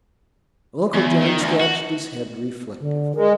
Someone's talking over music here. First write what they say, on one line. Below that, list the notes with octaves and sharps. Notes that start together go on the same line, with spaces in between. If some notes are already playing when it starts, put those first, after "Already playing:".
Uncle John scratched his head reflectively.
E2
D#3
D2
F#4
D3
G#3 A#4